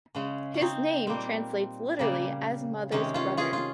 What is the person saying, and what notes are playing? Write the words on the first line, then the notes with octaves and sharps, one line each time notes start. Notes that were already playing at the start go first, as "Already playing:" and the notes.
His name translates literally as mother's brother.
C#3 G#3 C#4
C#4
C4 D#4
A#2 G3 A#3 C4
C#3 G3 A#3
C3 D#3 G#3 C#4
C#4 F4
F4 G#4
F4